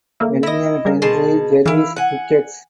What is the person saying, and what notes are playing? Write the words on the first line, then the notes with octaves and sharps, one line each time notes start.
William Henry Jervis Ricketts.
D3 A#3 E4
E4 D#5 B5 A#6
G3 G#4 A#4
B2 G#4 A5 C6
E3 E4 F5
F#5 G#5